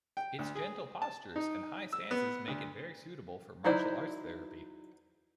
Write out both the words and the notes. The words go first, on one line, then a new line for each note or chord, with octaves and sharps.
Its gentle postures and high stances make it very suitable for martial arts therapy.
G5
D2
G#4
A5
D#4
E6
B3
D2
F#3 D#4 E4 C5 D5